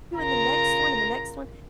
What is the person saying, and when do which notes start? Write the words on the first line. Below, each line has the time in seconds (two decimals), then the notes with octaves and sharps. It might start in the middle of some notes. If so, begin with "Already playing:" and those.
in the next one and the next one?"
0.15 C#3 F4 A#4 A#5